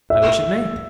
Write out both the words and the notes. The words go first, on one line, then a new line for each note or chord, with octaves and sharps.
"I wish it may."
E5